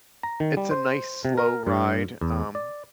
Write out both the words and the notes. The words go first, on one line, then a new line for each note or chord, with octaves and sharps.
it's a nice slow ride, um,
A#5
D#3
G3
C5
C3
A#4
G2
E2
D5